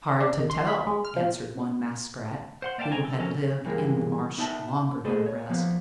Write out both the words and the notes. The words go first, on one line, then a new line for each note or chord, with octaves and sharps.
"Hard to tell," answered one Muskrat, who had lived in the marsh longer than the rest.
D4
D#3
C6
B5
G#3
F6
F3
C5 F#5 C6
A#3 D5 E5 F5 G5 A5
C2 C#3 C4 D#5 G#5 A#5
A4
F3 C#4 A4 A#4 C#5
G2 A#2 E3 G#3 A#3
B3 D#4 E5 A5
A3 G#4 A4 B4 C5 D#5
C#5
F3 A#3 B3